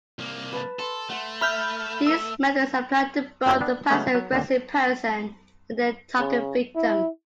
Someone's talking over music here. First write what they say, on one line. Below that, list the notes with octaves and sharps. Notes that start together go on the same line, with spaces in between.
These methods apply to both the passive-aggressive person and their target victim.
C2 A#3
B4 A5
A4 C6
A3 F#5 C6
E5 A5 B5 F6 G6
E6
F#2 F#3 A#3 E4 G4
B3 D4
C#3 F#3 G#3 A3 B3 D#4
F#3
D#2 D3
C#3
E4